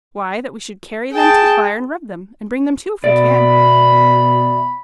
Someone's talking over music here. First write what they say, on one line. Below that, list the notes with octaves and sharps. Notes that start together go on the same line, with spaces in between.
"Why, that we should carry them to the fire and rub them, and bring them to if we can."
G#4 G5 A5
B2 B3 D5 E5 B5
B3